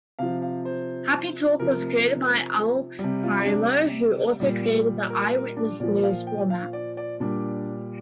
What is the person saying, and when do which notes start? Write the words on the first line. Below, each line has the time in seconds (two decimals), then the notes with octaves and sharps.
Happy Talk was created by Al Primo, who also created the "Eyewitness News" format.
0.19 C3 F3 F5
0.42 F5
0.65 C5
1.59 C3 F3 A#4
2.99 C3 G3
3.23 F4
3.46 D4
4.40 A#2 G3
5.10 A#4
5.34 A#4
5.57 D4
5.80 A#2 F3 D5
6.03 F5
6.27 G5
6.50 F5
6.73 D5
6.97 D5
7.20 A#2 G3 D4